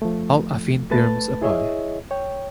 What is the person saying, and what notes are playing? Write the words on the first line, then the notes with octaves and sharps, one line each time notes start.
All affine theorems apply.
F3 A3
A3 B4 A5 A6
E4 G#4 C#5 D#5 E5
C#5 G5